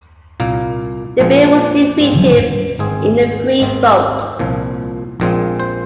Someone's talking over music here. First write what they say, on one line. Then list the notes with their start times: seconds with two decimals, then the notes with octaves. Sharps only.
The bill was defeated in a free vote.
0.40 C2 A#2 A#3
1.19 A#1 A#2 F3 G#3 C4
2.00 G#2 F3 G#3 C4
2.79 G#1 G#2 G#3 C4 G#4
3.60 G#1 G#2 D#3 C4
4.39 C2 A#2 F3
5.20 A#1 A#2 G#3 C4
5.60 C5